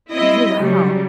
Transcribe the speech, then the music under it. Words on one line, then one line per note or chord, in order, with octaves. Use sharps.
Oh, wow.
G3 C4 E4 D#5
C#3 F#3 G3